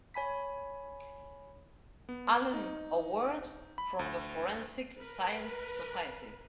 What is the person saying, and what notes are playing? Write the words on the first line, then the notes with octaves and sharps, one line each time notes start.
Allen Award from the Forensic Science Society.
C#5 G#5 B5 B6
B3
D#4
B5
D2
A#4 B4